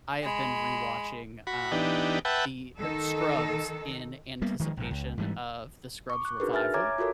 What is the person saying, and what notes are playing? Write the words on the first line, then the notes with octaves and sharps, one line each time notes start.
I have been rewatching, um, the er Scrubs in anticipation of the Scrubs revival.
G#3 B5
F#4 B5
E3 B3 D4 D#4 G4
B4 E5 F#5 G5 A5
D#3 D#4 A4
G3 A#3 B3
D#3 F3 G#3
A#1 G#2
C#2
G#2 E3 G3
C#6 D6
F#6
D4 D#4 F#4 G#4 A#4 B4
E5 G#5 F6 A6
C#5 E5 G#5 A#5 D6 G#6
F4 F#4 A4 A#4 C#5